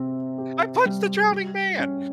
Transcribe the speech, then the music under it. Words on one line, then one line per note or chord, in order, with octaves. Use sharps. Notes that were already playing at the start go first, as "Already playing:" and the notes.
I punched the drowning man!
Already playing: C3 C4
G4
G3
G3
C#4